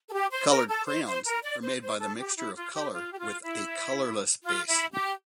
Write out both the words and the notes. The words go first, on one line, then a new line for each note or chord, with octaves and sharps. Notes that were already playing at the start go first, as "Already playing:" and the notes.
Coloured crayons are made by the mixture of colour with a colourless base.
A4
G4
C5
A#4
A4
C5
C5
A#4
D5
C5
C5
A4
G4
E4
F4
G4
F4
G4
F4
E4
F4
E4
G4